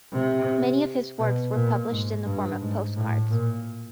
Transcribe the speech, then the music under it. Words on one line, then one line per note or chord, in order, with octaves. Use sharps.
Many of his works were published in the form of postcards.
C3
B2
A#2
G#2
G2
G#2
A2
A#2